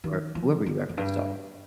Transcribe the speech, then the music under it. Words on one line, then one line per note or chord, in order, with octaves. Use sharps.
or whoever you referenced, sorry.
D#3
F3
D3
F2
G2